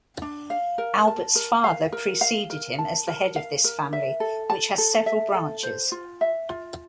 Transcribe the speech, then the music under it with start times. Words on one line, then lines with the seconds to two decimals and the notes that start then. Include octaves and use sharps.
Albert's father preceded him as the head of this family, which has several branches.
0.22 D4
0.50 F5
0.78 A#4
1.08 A5
1.35 A#4
1.64 F5
1.92 A#4
2.21 F5
2.50 A#4
2.79 A5
3.07 A#4
3.36 F5
3.64 A#4
3.93 E5
4.20 A4
4.50 A5
4.78 A4
5.06 E5
5.34 A4
5.63 C5
5.92 F4
6.21 E5
6.49 F4